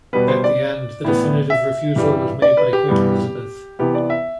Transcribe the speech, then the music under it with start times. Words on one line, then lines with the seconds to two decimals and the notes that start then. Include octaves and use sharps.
At the end, the definitive refusal was made by Queen Elizabeth.
0.13 B2 G3 B3 B4
0.28 C5
0.44 D5
1.04 A2 E3 B3
1.50 E5
1.96 G2 E3 G3
2.42 D5
2.57 B4
2.73 G4
2.88 G2 E3 G3 B3
3.79 C3 E3 B3 G4
3.95 D5
4.10 E5